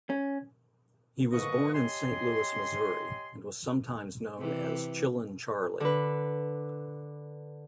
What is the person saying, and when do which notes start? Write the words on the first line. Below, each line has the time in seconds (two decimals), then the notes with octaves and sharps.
He was born in Saint Louis, Missouri and was sometimes known as "Chillin' Charley".
0.10 C#4
1.32 F2 D3 A#4 B4 D#5 C#6
1.74 G4 C#5 D#5 G#5 C6
4.38 C3 E3
5.80 D3 B4